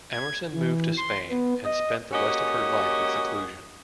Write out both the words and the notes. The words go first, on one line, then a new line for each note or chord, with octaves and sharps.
Emerson moved to Spain and spent the rest of her life in seclusion.
G#6
E3
C6
B3
D#5
G#3 A#3 C#4 F#4 G4 D#5